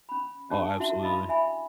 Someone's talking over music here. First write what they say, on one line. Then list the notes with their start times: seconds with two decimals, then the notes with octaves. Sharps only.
Oh, absolutely.
0.09 C#4 B5
0.50 C#4 D4 G4 A5 C#6
0.80 E4 F#4 E5 F#5 A5 C6
1.03 D#5 F5 B5 C6 D#6
1.29 E5 G#5 B5